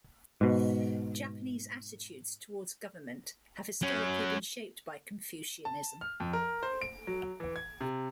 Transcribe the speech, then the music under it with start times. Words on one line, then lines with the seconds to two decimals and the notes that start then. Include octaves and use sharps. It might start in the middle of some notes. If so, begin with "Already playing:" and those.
Japanese attitudes towards government have historically been shaped by Confucianism.
0.41 G#2 B2
3.82 F#3 C#4
5.65 A5
6.01 F6
6.20 F2
6.33 A#4
6.63 C5
6.82 D7
7.07 F#3
7.40 E3
7.56 G#6
7.81 C3